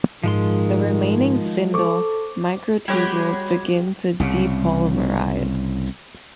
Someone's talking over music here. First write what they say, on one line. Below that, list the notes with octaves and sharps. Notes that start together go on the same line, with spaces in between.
The remaining spindle microtubules begin to depolymerize.
G#2 D#3 F3 G#3 C6
A4 C5 C#6 D6
G3 G#3 F#4 G4 C#5 B5 G#6
C2 C#3